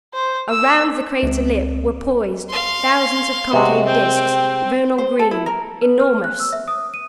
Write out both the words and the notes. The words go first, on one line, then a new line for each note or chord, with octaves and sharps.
Around the crater lip were poised thousands of concave disks, vernal green, enormous.
C5
E6
C#2 C4
F5 C6
C3 G#3 F#4
C4 G5
C5
A4
E4
A#4
B4
F6
F#6
E6
E5
D#6
D#7